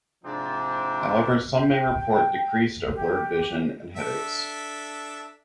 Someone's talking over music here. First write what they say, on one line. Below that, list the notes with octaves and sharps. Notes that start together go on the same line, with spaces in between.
However, some may report decreased or blurred vision, and headaches.
G#2 C3 F3 C4 D4
G5
G4
D4 A4 E5